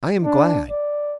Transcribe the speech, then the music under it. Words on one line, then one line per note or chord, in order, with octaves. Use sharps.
"I am glad."
D4
D5